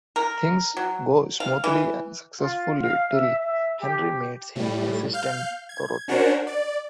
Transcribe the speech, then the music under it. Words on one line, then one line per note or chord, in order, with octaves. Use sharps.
Things go smoothly and successfully till Henry meets his assistant Dorothy.
A#4
F#3
F5
E3
F4
F5
E5
E5
G4
A2 G3
F5 F6 G6
G#6
C#4 D4 F#4 A#4 C5 C#5
D5